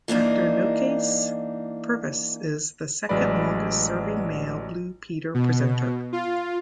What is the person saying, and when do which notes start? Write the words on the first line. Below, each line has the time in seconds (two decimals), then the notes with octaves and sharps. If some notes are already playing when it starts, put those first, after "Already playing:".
After Noakes, Purves is the second longest serving male Blue Peter presenter.
0.08 E3 A#3 D4 D#4
3.09 A1 F#3 G#3 B4 D5 B5
5.34 B2
6.13 F4